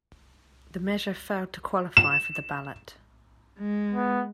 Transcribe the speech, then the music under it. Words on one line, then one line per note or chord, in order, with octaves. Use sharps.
The measure failed to qualify for the ballot.
E7
G#3
B3